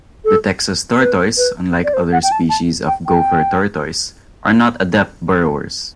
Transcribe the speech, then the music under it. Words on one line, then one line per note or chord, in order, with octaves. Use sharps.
The Texas tortoise, unlike other species of gopher tortoise, are not adept burrowers.
A4
B4
B4
D5
C5
F#5
G5
A5
A5
G5
G5